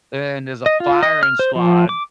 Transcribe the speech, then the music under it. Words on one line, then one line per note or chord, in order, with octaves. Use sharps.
and there's a firing squad
D#5
F4
D#5
F6
C5
F3
D6